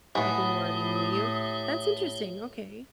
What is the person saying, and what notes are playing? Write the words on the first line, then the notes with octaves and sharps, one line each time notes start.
people who already knew you. That's interesting. Okay.
A2 E3 B3 G4 C#5 D#6